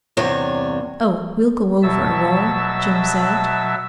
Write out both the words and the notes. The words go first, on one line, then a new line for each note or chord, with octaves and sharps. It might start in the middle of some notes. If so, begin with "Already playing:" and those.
"Oh, we'll go over, Wal," Jim said.
E2 G2 C3 D4 C#5
B2 F#3 E5 A5 E6